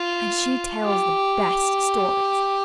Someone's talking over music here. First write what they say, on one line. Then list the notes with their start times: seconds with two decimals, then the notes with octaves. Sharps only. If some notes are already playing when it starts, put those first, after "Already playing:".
And she tells the best stories.
Already playing: F4
0.83 G4